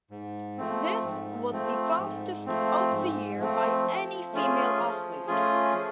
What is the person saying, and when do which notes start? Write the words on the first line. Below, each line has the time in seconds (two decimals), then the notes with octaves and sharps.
This was the fastest of the year by any female athlete.
0.11 G#2
0.57 F3 A3 C4
1.04 G#2
1.51 F3 A3 C4
1.99 G#2
2.46 F3 A3 C4
2.92 G#2
3.39 F3 A3 C4
3.86 F3
4.33 A3 C#4 F4 G#4
4.80 F3
5.27 A3 C#4 F4 G#4
5.74 F3